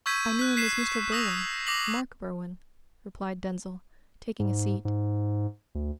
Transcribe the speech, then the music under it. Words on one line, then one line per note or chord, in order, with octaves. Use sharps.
"I knew him as Mr. Berwin--Mark Berwin," replied Denzil, taking a seat.
C#6 E6 G6 G#6 B6 D#7
F#6 B6
F#6 B6 C7 D#7 E7
D#6 E6 A#6 B6 F7
D6 A#6 C7 F7 F#7
G#2
G#2
D2